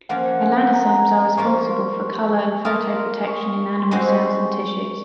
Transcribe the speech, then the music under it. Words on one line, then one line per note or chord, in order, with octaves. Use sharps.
Melanosomes are responsible for color and photoprotection in animal cells and tissues.
F3 A#3 C#4 F#5
F#5
G#5
F5
F#5
A#5
F3 A#3 F4 C#6
A#3 F4 A#4 D#6
C#6
C6
G#3 C4 D#4 F#4 C5 C#6